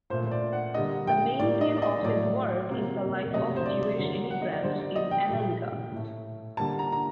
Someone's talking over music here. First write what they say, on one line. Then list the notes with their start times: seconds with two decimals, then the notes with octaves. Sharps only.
The main theme of his work is the life of Jewish emigrants in America.
0.10 A#2 C5
0.14 A3
0.27 C5
0.32 D5
0.53 F#5
0.74 D3 G3 A#3 D#5
1.07 G5
1.39 A2 G3 A#3 D5
1.61 D#5
1.77 D5
1.82 D#5
2.04 A2 F#3 A3 D5
2.69 C3 F#3 A#3
3.34 C3 F#3 A3 D#5
3.56 C5
3.66 D5
3.98 D3 F#3 A#3
4.31 F#5
4.42 D#5
4.52 D5
4.63 D3 G3 A#3 C5
4.80 D5
4.96 D#5
5.11 G5
5.28 A#2 G3 A#3
5.92 A2 A3
6.57 D3 G3 A#3 A5
6.79 A#5
6.92 A#5